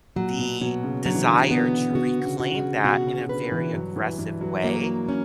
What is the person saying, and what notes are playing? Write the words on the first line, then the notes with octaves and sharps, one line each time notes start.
the desire to reclaim that in a very aggressive way.
A#2 F#3
B2
B2 F#3
C#3
D3 F#3
E3
D3
B3
C#3
D3 F#4
C#3
F#4
C#3
B2 F#4
C#3
C#3
D3 B4
E3
G2 F#3
E3
G2 E3
F#3
F#3 A#3
C#4